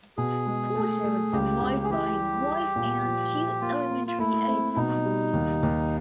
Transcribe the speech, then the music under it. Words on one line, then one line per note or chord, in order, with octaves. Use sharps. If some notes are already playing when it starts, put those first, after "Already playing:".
Porter was survived by his wife and two elementary age sons.
B2 G#4
G#3
A3
A3
C#2 G4
C#2
G#4
E3 G4
G3
G3
A#2
F3
F3
A#3 F4
A#3
F4
A3 E4
C4
B2 D#4
G3
D#2
D#2